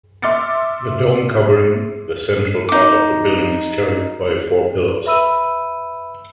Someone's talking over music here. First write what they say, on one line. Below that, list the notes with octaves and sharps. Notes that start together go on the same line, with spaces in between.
The dome covering the central part of the building is carried by four pillars.
E5 C6 D6 F6 A6 C#7
D#4 D6
B4 E5 B5 E6 D#7